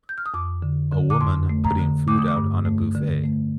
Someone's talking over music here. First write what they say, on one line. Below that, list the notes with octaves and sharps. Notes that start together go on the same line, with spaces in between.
A woman putting food out on a buffet.
G6
F6
D#6
F2 D6
D3
D3
D6
F2 C6
A3
A#5
D3
A3 D6
D#6
D6
G2
A3
D3
A3